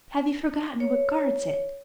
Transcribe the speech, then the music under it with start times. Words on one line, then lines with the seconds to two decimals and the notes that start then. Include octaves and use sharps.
"Have you forgotten what guards it?"
0.80 C#5